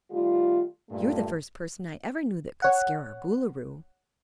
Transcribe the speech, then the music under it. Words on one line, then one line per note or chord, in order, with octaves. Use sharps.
"You're the first person I ever knew that could scare our Boolooroo."
D#3 G3 A3 F4
G2 A#2 A3
C#5 F#5